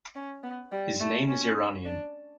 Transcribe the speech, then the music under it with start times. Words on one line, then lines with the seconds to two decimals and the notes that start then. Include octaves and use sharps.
His name is Iranian.
0.16 C#4
0.43 B3
0.72 G3
1.00 A3
1.28 C#4
1.85 D4